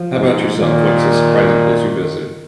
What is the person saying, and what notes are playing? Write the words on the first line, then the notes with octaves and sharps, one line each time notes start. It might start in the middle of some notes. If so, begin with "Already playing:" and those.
How about yourself- what's a surprising place you visited?
Already playing: F3
G#2
A#2 D#3